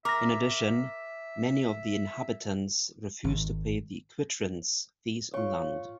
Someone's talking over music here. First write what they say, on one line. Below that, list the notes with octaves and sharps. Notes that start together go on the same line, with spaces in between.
In addition, many of the inhabitants refused to pay the quitrents, fees on land.
A#4 E5 D6 A#6
G#1
F4 C#5 C#6